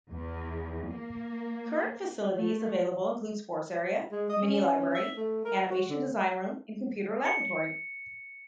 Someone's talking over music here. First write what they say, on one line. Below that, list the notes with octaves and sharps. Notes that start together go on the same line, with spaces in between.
Current facilities available include sports area, mini-library, animation design room and computer laboratory.
E2
A#3
A3
G#3
D#5
C#4
C#4
E5
A3
A#4
F#4
D3
C#7